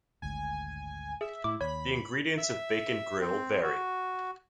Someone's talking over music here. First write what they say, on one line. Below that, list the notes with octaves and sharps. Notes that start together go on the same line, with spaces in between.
The ingredients of Bacon Grill vary.
G#1 D2 G#2 G#5
G#4 E5
A2 E4 D6
D#2 C#5 B5
E5
C4
F#4